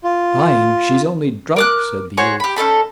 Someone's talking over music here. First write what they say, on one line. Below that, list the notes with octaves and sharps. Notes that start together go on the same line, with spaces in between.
"Dying; she's only drunk," said the youth.
F4
A#4 D6 F#6
F#4 G#4 C5 C#5
G4 B5
C#4 D#4 A4 B5